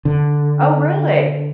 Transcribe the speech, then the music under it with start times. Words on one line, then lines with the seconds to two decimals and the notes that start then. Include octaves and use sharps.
Oh, really?
0.05 D3